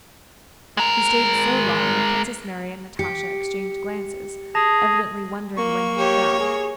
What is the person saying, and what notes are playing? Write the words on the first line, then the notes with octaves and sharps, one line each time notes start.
He stayed so long that Princess Mary and Natasha exchanged glances, evidently wondering when he would go.
G#3 A#4
G4 C#7
G#4 A5 A#6 F7
A#3 C#6
G4 C#5
G#4